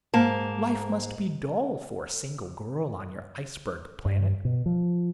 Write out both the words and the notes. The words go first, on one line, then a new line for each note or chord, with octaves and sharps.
Life must be dull for a single girl on your iceberg planet.
G#2 A#3 A5
G2
B2
F3